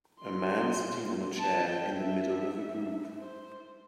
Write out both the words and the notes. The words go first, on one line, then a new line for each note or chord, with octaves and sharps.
A man sitting on a chair in the middle of a group.
C6
A5
G5
E5
C5